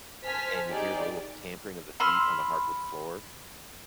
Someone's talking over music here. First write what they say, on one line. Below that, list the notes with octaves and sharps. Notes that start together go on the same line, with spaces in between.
and you hear the little tampering of the feet on the hardwood floor,
C5 G#5 A5 F6 B6
D#4 G4 G#4 D5
B5 C6 E6 F6